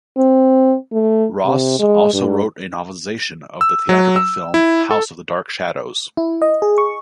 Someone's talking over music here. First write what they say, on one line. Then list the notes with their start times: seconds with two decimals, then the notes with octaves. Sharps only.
Ross also wrote a novelization of the theatrical film "House of Dark Shadows".
0.17 C4
0.93 A3
1.45 C3
1.79 G#3
2.13 G2
3.61 E6
3.89 F#3
4.16 E6
4.54 E4
4.91 A4
6.17 E4
6.42 D#5
6.62 G#4
6.78 C#6